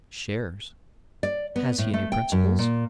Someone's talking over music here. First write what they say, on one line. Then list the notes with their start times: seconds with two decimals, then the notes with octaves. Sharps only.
Shares. Has he any principles?
1.23 D5
1.56 B3
1.78 A2
1.94 A3
2.12 G5
2.32 F#2
2.59 A#2